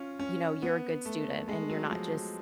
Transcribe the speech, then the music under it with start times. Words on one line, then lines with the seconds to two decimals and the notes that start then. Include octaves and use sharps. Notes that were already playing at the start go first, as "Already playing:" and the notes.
you know, you're a good student, and you're not just"
Already playing: C#4 F4
0.19 C#4
0.62 B3
1.05 A3
1.48 G#3
1.70 F#3
1.92 F3
2.13 F3